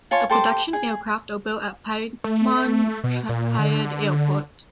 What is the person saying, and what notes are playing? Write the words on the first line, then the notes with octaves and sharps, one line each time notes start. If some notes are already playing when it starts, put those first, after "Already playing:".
The production aircraft are built at Piedmont Triad Airport.
F4 C#5 G#5 A5
G4 A4 C5 D6
G#4
A3
B2
A#2
D3